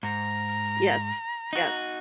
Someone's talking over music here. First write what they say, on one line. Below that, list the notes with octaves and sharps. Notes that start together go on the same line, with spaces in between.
Yes, yes.
G#2 A#5
D#4 F#4